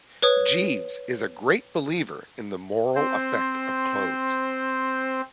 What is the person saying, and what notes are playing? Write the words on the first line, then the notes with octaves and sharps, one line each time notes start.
Jeeves is a great believer in the moral effect of clothes.
B4 C#5 D#6
C4 C5